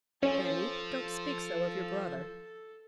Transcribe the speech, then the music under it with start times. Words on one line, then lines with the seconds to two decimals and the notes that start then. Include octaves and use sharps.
'Fanny, don't speak so of your brother.
0.23 F3 C#4 A4